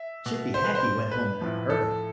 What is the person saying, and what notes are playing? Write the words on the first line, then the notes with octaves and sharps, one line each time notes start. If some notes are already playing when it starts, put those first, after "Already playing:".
Chippy Hackee went home in a hurry!
Already playing: E5
B2
C5
B4
C5
B4
A2 F3
A4